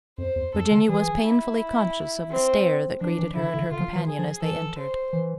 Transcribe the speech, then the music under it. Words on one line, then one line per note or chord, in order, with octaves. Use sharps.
Virginia was painfully conscious of the stare that greeted her and her companion as they entered.
F2 C5
E2
F2 A4
D3
E3 G#4
E4
C4
F3 D4
E3
D3 E4
D3
D3 F4
E3
G#4
F3
E3 A4
C5
E3